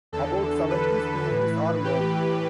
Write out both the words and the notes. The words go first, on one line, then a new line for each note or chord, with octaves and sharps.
About seventy species are known.
E2 D3 A4
B4
A2 E3
G4